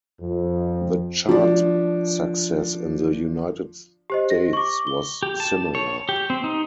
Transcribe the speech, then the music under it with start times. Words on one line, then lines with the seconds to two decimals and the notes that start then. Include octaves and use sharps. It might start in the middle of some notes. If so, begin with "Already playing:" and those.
The chart success in the United States was similar.
0.21 F2
1.29 F3 D4
4.10 G4 C5 D#5
4.30 A#6
4.53 C#6 D6
4.87 G7
5.23 G4
5.40 A5
5.75 C#5
6.09 G4
6.30 C4
6.44 D#4